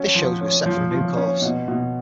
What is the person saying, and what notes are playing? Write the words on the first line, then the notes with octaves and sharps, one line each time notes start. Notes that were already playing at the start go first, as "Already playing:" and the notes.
This shows we are set for a new course.
Already playing: F#3 C#4
F3
C#4
F3
F3
C#4
B2
B2